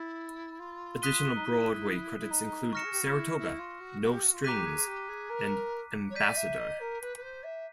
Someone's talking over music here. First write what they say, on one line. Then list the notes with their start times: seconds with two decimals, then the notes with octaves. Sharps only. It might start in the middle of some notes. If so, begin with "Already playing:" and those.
Additional Broadway credits include "Saratoga", "No Strings", and "Ambassador".
Already playing: E4 B5 E6 A6
0.59 F4
1.02 D#6 F#6 B6 D#7 G7
1.35 D#4
1.45 E4
2.19 E4
2.30 D#4
2.73 C#6 F6 A#6 C#7 E7
2.84 G#4
2.92 G4
3.00 F#4
3.08 F4
3.16 E4
3.38 E4
3.59 F4
3.80 F#4
4.01 F#4
4.12 G4
4.23 F#4
4.33 F4
4.44 G4 A#5 D6 F#6 B6 D#7
4.65 G#4
4.87 G4
5.09 G#4
5.30 A#4
6.10 C#5
6.15 D5 G6 B6 D#7
6.37 E5
6.58 D#5
6.80 A#4
7.01 B4
7.17 B4
7.22 C5
7.43 E5